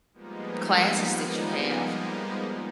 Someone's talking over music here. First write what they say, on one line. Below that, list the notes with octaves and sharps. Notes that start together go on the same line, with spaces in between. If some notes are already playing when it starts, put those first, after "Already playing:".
classes that you have."
F3 G3 G#3 A#3 B3 D#4